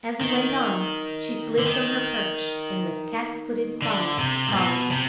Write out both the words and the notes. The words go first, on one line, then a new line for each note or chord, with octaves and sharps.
As he went on, she slid from her perch and with cat-footed quiet followed him.
D#3
D3
D#3
D3
C3
G#2
B2
C3